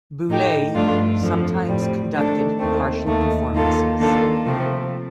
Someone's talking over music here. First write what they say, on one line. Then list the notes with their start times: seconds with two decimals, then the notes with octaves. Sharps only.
Boulez sometimes conducted partial performances.
0.28 A2 A3 D#4 G4
0.74 G2 F3 A3 D4 F4
1.20 F2 D3 F3
1.67 A2 G3 C4
2.13 D#3 A3 D4 A4
2.60 D#2 D#3 A3 C4
3.06 D#2 D#3 A3
3.53 D#2 D#3 A#3 F4 A4
3.98 D#3 A#3 D4 F4 A4
4.45 C3 F3 A3 C4